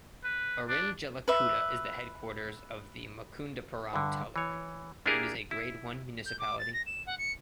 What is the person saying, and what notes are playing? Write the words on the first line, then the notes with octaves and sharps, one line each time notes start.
Irinjalakuda is the headquarters of the Mukundapuram Taluk and is a Grade-I municipality.
B4
D4
B4 E5
G2 D3
E3 C#5
A#3 D4 E4 G4 G#4 A#4
E4
G6
D6
A6
A#6
E7
F#5
C#7